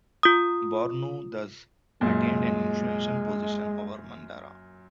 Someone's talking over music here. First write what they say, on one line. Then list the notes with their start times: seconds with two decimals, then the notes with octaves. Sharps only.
Bornu thus attained an influential position over Mandara.
0.23 F4 D#6
2.01 F#2 A#2 G#3